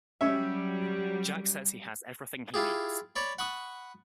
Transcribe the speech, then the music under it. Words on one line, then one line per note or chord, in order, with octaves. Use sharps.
Jack says he has everything he needs.
F#3 G3 C#4 E5
E4 F4 G4 G#4
C#5 D5 B5
F#5 B5 C#6 D#6